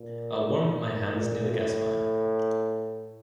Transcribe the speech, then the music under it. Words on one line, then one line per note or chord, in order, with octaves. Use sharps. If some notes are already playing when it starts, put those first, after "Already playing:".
I warmed my hands near the gas fire.
Already playing: A#2
A#2
A2